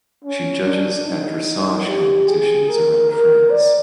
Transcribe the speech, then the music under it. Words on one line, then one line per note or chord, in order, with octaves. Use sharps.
She judges at dressage competitions around France.
C#4
D4
D#4
G4
G#4
A#4
A#4
D5